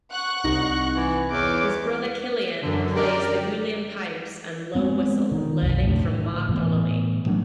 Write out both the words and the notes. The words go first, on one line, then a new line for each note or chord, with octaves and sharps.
His brother Cillian plays the uillean pipes and low whistle, learning from Mark Donnelly.
F#5 C#6 F#6
C2 D#4 A#6
E3
E2 C#5 D6
F#2 D3
G4 A#4 D5
G#3 B3 C4
D#3
B1 F2
A2 D3
A2 E3 B3
F3 F#3 A3 D4